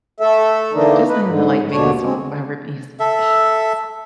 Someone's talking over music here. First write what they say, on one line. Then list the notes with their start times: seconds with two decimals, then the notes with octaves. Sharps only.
just for him to, like, make a song about ripping his pants,
0.20 A3 A4 E5
0.73 D3 E3 A#3 D4 D#4
1.07 D#4 B4
1.26 G#2 D3
1.72 D#2 B2 D3 D4 C#5
2.01 G#3 C4
2.99 A4 E5